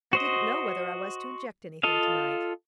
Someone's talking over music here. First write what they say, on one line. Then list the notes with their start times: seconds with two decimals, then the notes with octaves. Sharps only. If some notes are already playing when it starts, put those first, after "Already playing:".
I didn't know whether I was to inject anything to-night.
0.13 F#4 C5 D#5
1.83 F4 A4 D#5 F5